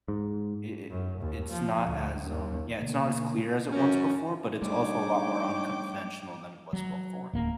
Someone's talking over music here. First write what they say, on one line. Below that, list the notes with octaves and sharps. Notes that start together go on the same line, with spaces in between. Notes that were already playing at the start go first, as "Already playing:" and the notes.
it it it's not as, um yeah, it's not as clear as it once before, but it's also a lot more unconventional than it was before.
G#2
F#2
D#2
F3
D2
D#2
B2 D3 A#3
F#2 C#4
G3 A3 D4 D#4 C#5 G5 D6
F#3
D1 A#3